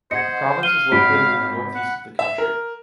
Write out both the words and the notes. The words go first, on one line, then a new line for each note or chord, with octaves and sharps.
The province is located in the northeast of the country.
C5 D#5 F#5 G#6 C#7
F5 F6 D#7 G7
G#1 F#4 B5 B6 D7
F#5
E5
A#4